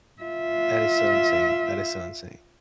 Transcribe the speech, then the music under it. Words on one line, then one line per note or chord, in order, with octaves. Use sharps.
That is so insane. That is so insane.
F4 E5